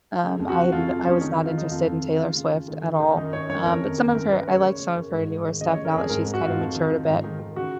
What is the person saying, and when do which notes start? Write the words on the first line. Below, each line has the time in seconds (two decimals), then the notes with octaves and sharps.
um, I had n I was not interested in Taylor Swift at all, um, but some of her I like some of her newer stuff now that she's kind of matured a bit.
0.24 C#3
0.40 F2
0.49 F#4
0.57 C#3
0.72 F2 F4
0.89 F2 F4
1.05 C#3 C#4
1.21 D#3 D#4
1.34 D#4
1.38 D#3
1.45 F4
1.53 D#3 D#4
1.71 F2 F4
1.87 F2
2.02 D#3
2.19 C#3 F4
2.35 C#3
2.52 C#3
2.68 D#3
2.84 D#3
3.00 D#3
3.17 F#2 D#4
3.33 F#2 C#5
3.49 F#2 C#5
3.65 F2 A#4
3.83 D#3
3.98 D#3
4.15 F#2 A#4
4.30 F#2 B4
4.47 C#3 C#5
4.63 C#3 C#5
4.80 C#3
4.96 F#2
5.13 G#2
5.29 G#2
5.45 D#3
5.61 C#3 D#5
5.73 C#5
5.77 C#3
5.85 A#4
5.94 F2 G#4
6.09 G#2 A#4
6.22 A#4
6.27 G#2
6.34 F#4
6.42 G#2 F4
6.59 F2
6.75 D#3
6.91 D#3
7.07 G#2
7.24 D#3
7.39 D#3
7.56 C#3 F#4